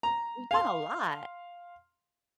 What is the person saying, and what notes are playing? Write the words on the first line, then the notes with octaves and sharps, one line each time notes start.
You've done a lot.
A#5
F5 C6